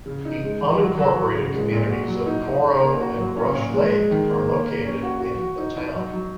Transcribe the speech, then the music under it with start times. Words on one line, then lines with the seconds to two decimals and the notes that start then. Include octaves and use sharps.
The unincorporated communities of Koro and Rush Lake are located in the town.
0.06 C#3
0.25 D#4
0.43 G#3
0.62 D#3
0.79 F#3
0.97 F#3
1.16 F#4
1.35 C#3
1.53 G#3
1.71 A#2
1.90 F#4
2.08 F#3
2.26 D#4
2.45 D#4
2.64 C#3
2.82 A#3
3.00 F#4
3.18 F#3
3.36 C#4
3.55 A#2
3.74 G#3
3.92 G#3
4.11 D#3
4.29 A#3
4.48 A#3
4.66 A#3
4.84 C#4
5.03 F#4
5.20 F#4
5.40 F#4
5.58 D#4
5.76 D#4
5.95 F#3
6.13 F#3